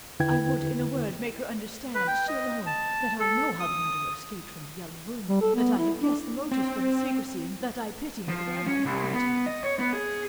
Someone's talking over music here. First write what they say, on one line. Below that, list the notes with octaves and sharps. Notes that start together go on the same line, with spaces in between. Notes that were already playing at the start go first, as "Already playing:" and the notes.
I would, in a word, make her understand--she alone--that I know how the murderer escaped from The Yellow Room--that I have guessed the motives for her secrecy--and that I pity her with all my heart.
E2 D3 E4 B4 G5 G#6
B4
G5
D#5
A5
A4
D#6
G3
A4
B3
E4
D4
C4
F3
C#4
C2
B3
D#5
C#5
B3
G#4